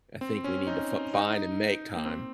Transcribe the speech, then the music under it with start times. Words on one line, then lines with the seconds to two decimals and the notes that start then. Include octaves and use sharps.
I think we need to fi find and make time.
0.21 C4
0.44 C#4
0.67 D#4
1.14 D#4
1.96 A#3
2.06 C4